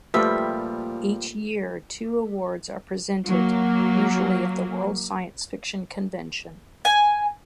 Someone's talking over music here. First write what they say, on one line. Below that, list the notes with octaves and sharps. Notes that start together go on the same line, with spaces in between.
Each year, two awards are presented, usually at the World Science Fiction Convention.
A#2 F3 G3 A3 G4 B4 E5
F#3 A#3
G#5